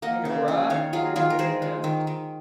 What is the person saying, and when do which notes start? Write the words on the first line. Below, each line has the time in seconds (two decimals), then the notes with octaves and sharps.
"Think it'll ride?" one of the men asked.
0.02 A#3 D#5 F#5
0.25 C#3
0.48 C#3
0.70 D#3 C#5 F5
0.93 F#3 F4 G#4
1.16 D#3 F4 G#4
1.30 A#4
1.39 G#3 G#4 C5
1.62 G#3
1.84 D#3
2.07 D#3